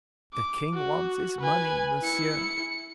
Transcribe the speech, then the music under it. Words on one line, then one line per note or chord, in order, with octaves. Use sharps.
"The king wants his money, monsieur."
D6
F#4
B4 G#5
E4 C#7